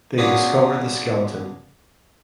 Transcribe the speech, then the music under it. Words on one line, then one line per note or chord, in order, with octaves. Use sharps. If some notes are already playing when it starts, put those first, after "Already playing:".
They discover the skeleton.
B3 C#4 D4 F4 F#4 G#4